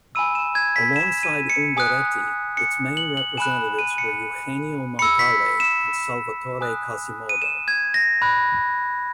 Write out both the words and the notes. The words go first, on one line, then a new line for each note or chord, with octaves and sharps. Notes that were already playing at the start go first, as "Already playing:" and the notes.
Alongside Ungaretti, its main representatives were Eugenio Montale and Salvatore Quasimodo.
G#5 B5 E6 D#7
E7
G#6
B6
E7
D#7
C#7
G#5 D#6 F#6
C#7
F#7
F#7
G#5 B5 F#6 E7
D#7
C#7
B5 E6 C#7
B6
E7
G#5 D#6 F#6
D#7
E7
G#6
A#6
B5 F#6